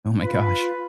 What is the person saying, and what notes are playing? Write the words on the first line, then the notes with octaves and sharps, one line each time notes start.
Oh my gosh.
F4 B4